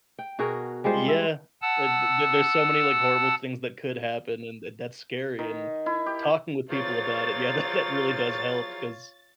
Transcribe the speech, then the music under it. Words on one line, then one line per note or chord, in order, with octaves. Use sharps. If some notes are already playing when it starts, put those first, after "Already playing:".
Yeah, tha th th there's so many, like, horrible things that could happen, and th that's scary, and talking with people about it, yeah, that that really does help 'cause
G5
B2 F#4 G#4 A#4
G3 G#3 F4 C5
E5
F#5 A5 E6
D#3
E4
G4
E2 F3 F#3 F4 C#5 A6